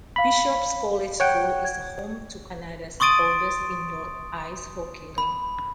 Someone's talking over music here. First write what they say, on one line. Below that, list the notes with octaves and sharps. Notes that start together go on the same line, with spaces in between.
Bishop's College School is home to Canada's oldest indoor ice hockey rink.
F5 B5 B6
C#5 F#5 G5
G#6
C6 C#6 D#6 A6 D7 D#7
B5